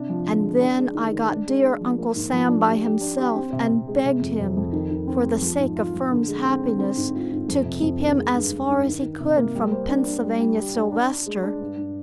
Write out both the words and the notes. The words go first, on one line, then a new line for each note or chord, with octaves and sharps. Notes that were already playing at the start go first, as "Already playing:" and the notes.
And then I got dear Uncle Sam by himself, and begged him, for the sake of Firm's happiness, to keep him as far as he could from Pennsylvania Sylvester.
Already playing: C3 D4
F3
D3
G#3
D4
G#3
D#3
D#3
D4
G#3
D4
F3
A#3
G#2
F3
D4
G4
G4
D4
G4
C4
C3
C3
G#3
C3
F2
F2
F2
D#3
D#3
C4
G#3
F3
G#2
F4
F3
D3
G#3
C4
D3
C4
G#2
F4
G#2
F2
C3
F2
D#3
G#3
G2
G2
G2
D#3
D#3
C3
A#3
G3
C5
D4
D4
G3
G3
G4
D4
D4
D4
G#3
D4
G2
G2